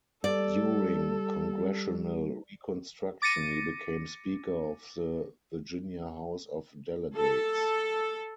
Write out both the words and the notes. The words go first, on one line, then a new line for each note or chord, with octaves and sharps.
During Congressional Reconstruction he became Speaker of the Virginia House of Delegates.
G3 A4 D5
D6 A6 A#6 C#7 D#7
A4